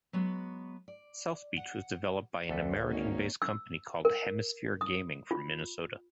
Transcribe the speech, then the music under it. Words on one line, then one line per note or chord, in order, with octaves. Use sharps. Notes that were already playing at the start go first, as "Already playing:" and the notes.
South Beach was developed by an American based company called Hemisphere Gaming from Minnesota.
F#3 G#3 B3 F#4 B4
D5
F#5
D2 A4 B4
G#1 A#3 C#4 D#4
E6
A#4
D#6
F4